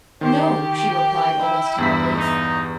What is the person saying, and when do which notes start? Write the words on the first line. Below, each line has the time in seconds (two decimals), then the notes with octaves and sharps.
"No," she replied, almost timidly.
0.21 D#3 G4 C5
0.61 G5
1.40 E4
1.78 E2 G2 B6
2.14 D#4